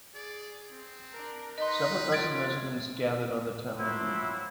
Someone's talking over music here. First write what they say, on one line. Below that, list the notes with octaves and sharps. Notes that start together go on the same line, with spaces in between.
Several dozen residents gathered on the town green.
G#4 D5
C4
D4 A#4
D#4 B4 D#5 C6
F4 G#6 A6 D7 F#7
F3 F#3 C4 D4 E4